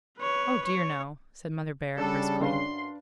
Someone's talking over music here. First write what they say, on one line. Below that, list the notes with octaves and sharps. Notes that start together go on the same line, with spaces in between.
"Oh dear, no," said Mother Bhaer, briskly.
B4 C#5
C#5
C#3 G3 D4 A4
F#2 D4 B4 F5 C6